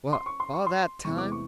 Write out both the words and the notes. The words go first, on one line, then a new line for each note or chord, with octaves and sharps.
"What, all that time?"
C6
C#6
C6
C#6
C6
E2 C3 E3 G#3 C#6
D6
C#6